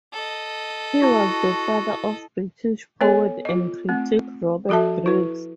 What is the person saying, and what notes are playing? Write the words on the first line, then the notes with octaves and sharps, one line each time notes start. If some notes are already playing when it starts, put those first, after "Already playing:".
He was the father of British poet and critic Robert Graves.
A4 D#5
E4 F#4 A5
B3 A4 C#5 G#5
F4 D#5
A3 C4
F3 F#4 A4 E5 A5
E4 B4